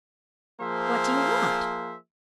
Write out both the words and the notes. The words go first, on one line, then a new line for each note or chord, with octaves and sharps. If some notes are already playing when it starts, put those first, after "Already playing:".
"What do you want?"
F3 A#3 G#4 C5 E5